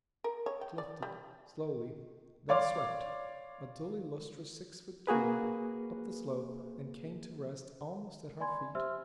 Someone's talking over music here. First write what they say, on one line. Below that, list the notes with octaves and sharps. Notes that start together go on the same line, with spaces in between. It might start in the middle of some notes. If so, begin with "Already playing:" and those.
It lifted, slowly; then swept, a dully lustrous six-foot cube, up the slope and came to rest almost at our feet.
A#4
C#5
G5
D5
G3
C#5 D5 F5 C6 D6
A#3 F#4 G#4 B4
D5 G#5 B5 C6 G#6
G4 C5 E5 C6 E6 F6